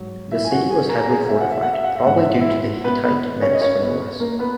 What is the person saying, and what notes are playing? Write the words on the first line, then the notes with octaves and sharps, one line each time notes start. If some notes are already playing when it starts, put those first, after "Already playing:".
The city was heavily fortified, probably due to the Hittite menace from the west.
Already playing: G#2 F#3
E4 E5
G#5
F#4 F#5
G#4 G#5
A#4 A#5
A#5
G#4 G#5
E5
F#5
E5
F#5
E5
F#5
E5
G#2 E3 F#5
E5
F#5
E4 E5
B3 B4
B3 B4
C#4 C#5
D#5
C#4 C#5
B3 B4
A#3 A#4
B3 B4